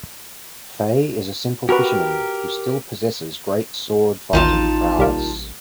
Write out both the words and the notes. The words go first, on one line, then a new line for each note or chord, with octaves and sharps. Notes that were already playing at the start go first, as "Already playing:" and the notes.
Fei is a simple fisherman, who still possesses great sword-fighting prowess.
F#4 G4 A#4 B4
A1 D#2 D#4 F4 A5
C2 G3 A#3